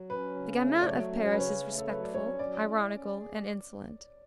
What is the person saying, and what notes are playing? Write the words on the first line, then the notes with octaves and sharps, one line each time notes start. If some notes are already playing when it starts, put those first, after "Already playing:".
The gamin of Paris is respectful, ironical, and insolent.
Already playing: F#3
C#4 B4
C#3
A3
D5
F#3 C#5
C#4
C#5
B4
C#3 C#5
A3
A4
F#3 B4
D5
C#4 C#5
F#3 D5
E4
C#4
G#4